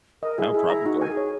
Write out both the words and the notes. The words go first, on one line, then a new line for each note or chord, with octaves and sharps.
Oh, probably.
A#4 D#5
E4 G#4
E4 G#4
E4 A#5
D#4 F#4
G#5
A#4
G#4
C#5